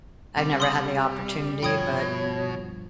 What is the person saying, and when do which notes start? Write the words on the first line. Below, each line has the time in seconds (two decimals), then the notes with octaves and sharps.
I've never had the opportunity, but
0.37 C3 G3
0.60 C6 D#6 F#7
1.63 G2 B2 F3 C#5 G5 D#6 G#6